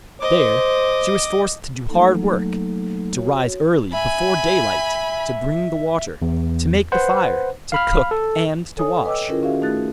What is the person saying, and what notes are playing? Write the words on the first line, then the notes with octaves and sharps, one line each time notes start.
There she was forced to do hard work; to rise early before daylight, to bring the water, to make the fire, to cook and to wash.
C5 D#5 D6
F#3 A3 A#3 D#4 A4
F#4 C#5
E5 G#5 B5
E2
B4 C5 F#5
F5 B5 F6
A4
A4 C#5 G#5 D#6
B4 D#5 G5 D6 E6
D#3 C#4 E4 F4 G#4 A#4
C#4 F#4 G#4 E5 F5
A3 D#4 F4 G#4 F#6 A6